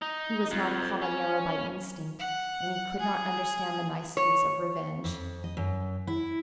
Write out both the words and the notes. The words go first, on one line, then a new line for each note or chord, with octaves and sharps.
He was not a /caballero/ by instinct, and he could not understand the niceties of revenge.
D#4
F2
C#4
F#5
G#4
C#5
F2
D#5
F#2
E4